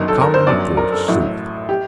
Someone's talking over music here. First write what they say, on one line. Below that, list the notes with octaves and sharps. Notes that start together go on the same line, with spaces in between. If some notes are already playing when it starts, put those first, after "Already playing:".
Common, forsooth!
Already playing: G1 F#2 D#3 F#3 D#5
A4
A#4
C5
G1 F#2 F#3 D5
A#4
A4
A1 A2 F#3
G4